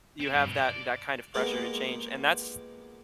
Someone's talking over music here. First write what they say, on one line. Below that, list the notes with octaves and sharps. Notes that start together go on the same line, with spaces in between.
you have that that kind of pressure to change, and that's
C4
G2
B2
D5
G#3 A#3 B3 F4 G4 G#4